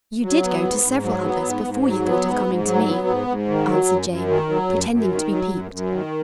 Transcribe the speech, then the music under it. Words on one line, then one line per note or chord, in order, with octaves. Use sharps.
"You did go to several others before you thought of coming to me," answered Jane, pretending to be piqued.
F#3
B3
G#2
G#2
F#3
B3
G#2
G#2
F#3
B3
G#2
G#2
F#3
B3
G#2
G#2
D#3
F#3
F#2
F#2
D#3
F#3
F#2
F#2
D#3
F#3
F#2
F#2
D#3